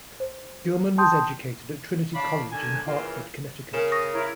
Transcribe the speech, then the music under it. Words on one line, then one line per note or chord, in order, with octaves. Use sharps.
Gilman was educated at Trinity College in Hartford, Connecticut.
C5
G5 A5 C6 D#6 G6
D4 C#5 D5 F5 B5
D3 D#3 G#5
C#3 E3 A#3 F4
C#3 A#4 G#5 E7
C#6 D#6 A#6
E4 A#4 C#5